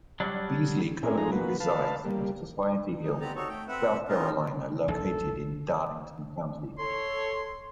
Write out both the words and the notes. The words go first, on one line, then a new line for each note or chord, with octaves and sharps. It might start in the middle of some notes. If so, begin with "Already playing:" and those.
Beasley currently resides in Society Hill, South Carolina, located in Darlington County.
F#3 G3 D4
C4 C#4 E4 G#4 A#4
F3 G#3 A3 D#4 G#4 A#5
A#3 F#4 B4
B4 F5 A5
G3 A#3
D#4
B3 C4 G4 D5 A#5
D#4 F#4 A4 C#5
A3 G5
C4 B4 E5 F#5
C4 C#4 D#4 F4 A#4
A#1 D#2 A4
A4 C#5 C6